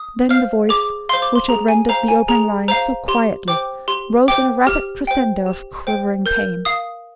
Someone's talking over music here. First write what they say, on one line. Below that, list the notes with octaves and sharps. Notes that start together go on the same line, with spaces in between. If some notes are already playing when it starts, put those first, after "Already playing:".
Then the voice, which had rendered the opening lines so quietly, rose in a rapid crescendo of quivering pain.
Already playing: D#6
C5 F5 F6
G#4 D6
C5 F5 C6
D6
C6
G#4 A#5
G#5
C5 F5 A#5
G#5
G#4 A#5
C5 F5 A#5
G4 C6
C5 G5 D6
G4 C6
C5 G5 D6
G4 F6
C5 G5
G4
C5 G5
A#4 G6
F5 D#6